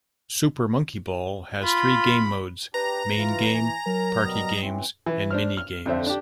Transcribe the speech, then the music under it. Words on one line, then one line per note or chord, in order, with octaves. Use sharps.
"Super Monkey Ball" has three game modes: main game, party games, and mini-games.
F4 B5
D4 G4 B4 A#5
E3 F4
G#5
F#3 A#4
B2 G3 A#4 D#5
E3 C4 C#4
E3
D4 C5 F6
F6
F2 D3 D4 C5 E5
D4 G4